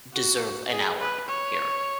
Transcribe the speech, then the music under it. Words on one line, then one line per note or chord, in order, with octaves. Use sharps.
deserve an hour, here
F#4
G#4
B4
C#5